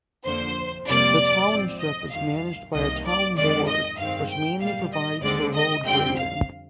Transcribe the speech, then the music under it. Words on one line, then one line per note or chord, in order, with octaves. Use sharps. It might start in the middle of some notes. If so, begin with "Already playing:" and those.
The township is managed by a town board which mainly provides for road grading.
F2 D3 F3 A#3 C5
F2 C3 G3 A#3 D5
G#2 F3 C4
D#5
F2 D#3 G3 F5
C2 C3 D#3 A#3 D#5
D5
F2 D#3 G#3 D5
D#5
G2 D#3 G#3 C4 F5
G5
A#2 G3 A#3 F5
D#5
D#2 D3 G#3 C4 D5
D#5
F2 D3 G3 C4 G5
F5